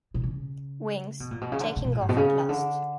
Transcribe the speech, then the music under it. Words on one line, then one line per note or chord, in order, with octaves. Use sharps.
"Wings: Taking off at Last".
B2
C#3
B2
A#2
B2
C#3
D3
C#3
B2
A#2
G2
B2
C#3
D3